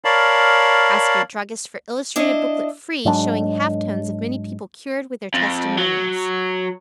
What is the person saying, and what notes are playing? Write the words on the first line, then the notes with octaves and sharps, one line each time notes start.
Ask your Druggist for illustrated Booklet FREE, showing half tones of many people cured, with their testimonials.
A#4 C#5 D5 F5 A5 B5
D4 E4 D#5
G#2 F#3 G#3 D4
F2
F#3